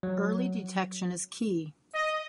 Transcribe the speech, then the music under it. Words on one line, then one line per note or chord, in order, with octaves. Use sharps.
Early detection is key.
F#3
D#5